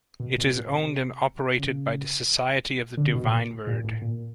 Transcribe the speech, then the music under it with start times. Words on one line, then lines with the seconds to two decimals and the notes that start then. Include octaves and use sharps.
It is owned and operated by the Society of the Divine Word.
0.20 B2
0.38 B2
0.55 A#2
0.72 C3
1.59 C#3
2.97 D3
3.06 C3
3.15 B2
3.24 A#2
3.67 A#2
3.84 A2
4.02 A#2